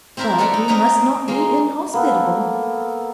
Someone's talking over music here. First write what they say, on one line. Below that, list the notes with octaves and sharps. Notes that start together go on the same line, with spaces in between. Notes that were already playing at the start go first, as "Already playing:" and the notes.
But we must not be inhospitable.
C4 E4 A#4 C5 E5
B3 A4 A#4 D5 F#5 B5
D#4
C4 D#4 A#4 B4 C#5 A#5
G#3 A#3 F4
A#3 B3 A4